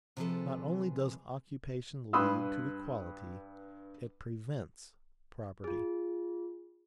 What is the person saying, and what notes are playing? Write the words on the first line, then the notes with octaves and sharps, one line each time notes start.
Not only does occupation lead to equality, it PREVENTS property.
C3 D#3 F3 G#4 A4 B4
G2 B4 B5 C6 D#6 E6
F4 G#4